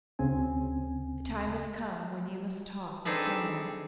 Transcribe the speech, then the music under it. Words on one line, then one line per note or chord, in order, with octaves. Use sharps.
"The time has come when you must talk to some one."
D2 C#3 C4 G#5
C4 D4 D#4 G#4 A4 B4